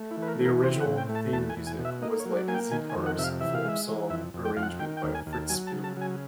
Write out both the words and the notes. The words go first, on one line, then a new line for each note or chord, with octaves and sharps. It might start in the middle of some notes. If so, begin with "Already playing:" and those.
The original theme music was, like "Z-Cars", a folk-song arrangement by Fritz Spiegl.
Already playing: A3
E4
E3
B4
A#4
E3 A#4
C4 C5
F#5
A2
G5
A3
A5
E2 A5
G#5
E2
G#5
B2
E5
A#3 D#5
C#5
F#3
D5
A#3 G#5
G5
D#3 G#5
G#5
F2
F#5
C3 E5
F5
E3 E5
F5
G#3 E5
E3
F2 E5
F2
G5
F2 F5
F#5
D#3 G5
G5
D#2
G#5
D#2
A5
F#3 G#5
A5
C#3
A5
F#3 G#5